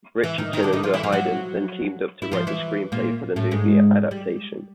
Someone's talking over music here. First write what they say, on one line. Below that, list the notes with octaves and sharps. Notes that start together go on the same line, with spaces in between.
Richardson and Verheiden then teamed up to write the screenplay for the movie adaptation.
E3 E4
D#3 D#4
D#3 D#4
D3 D4
D#3 D#4
F3 F4
E3 E4
F3 F4
F#3 F#4
E4
F3 F4
E3 E4
A#2 A#3
A2 A3
G#2 G#3
G3